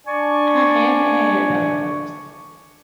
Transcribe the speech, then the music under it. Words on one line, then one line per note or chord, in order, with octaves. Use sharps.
I haven't had those.
D4 D5 G#5 C#6